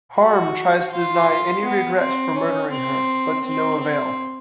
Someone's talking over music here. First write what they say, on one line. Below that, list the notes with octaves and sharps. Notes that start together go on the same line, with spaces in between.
Harm tries to deny any regret for murdering her, but to no avail.
F#4
F4
B3
C4
C#4
C4
C4
C4